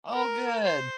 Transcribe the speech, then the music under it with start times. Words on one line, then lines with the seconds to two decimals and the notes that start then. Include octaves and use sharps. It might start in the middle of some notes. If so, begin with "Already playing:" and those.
Oh good.
0.14 A#4
0.65 C5